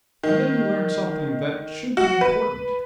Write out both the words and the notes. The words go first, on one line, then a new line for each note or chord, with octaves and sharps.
And then he learned something that should be important.
D#3
F#4
B4